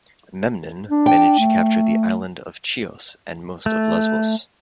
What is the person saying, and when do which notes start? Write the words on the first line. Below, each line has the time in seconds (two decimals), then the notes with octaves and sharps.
Memnon managed to capture the island of Chios and most of Lesbos.
0.90 D4
1.06 G5
1.39 A3
3.66 A3